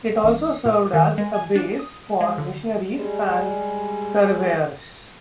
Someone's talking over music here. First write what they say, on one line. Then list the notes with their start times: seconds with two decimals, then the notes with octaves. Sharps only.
It also served as a base for missionaries and surveyors.
0.24 A1
0.65 A#2
0.94 D#3
1.18 G#3
1.33 G#5
1.56 D4
1.79 D#6
2.21 G#3
2.38 D3
2.93 G3 G#3